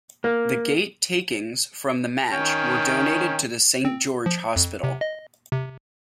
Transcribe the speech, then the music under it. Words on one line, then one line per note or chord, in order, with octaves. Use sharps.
The gate-takings from the match were donated to the Saint George Hospital.
A#3
D#3 C#4 G5
C4
F3
F2
C3
D#5
C3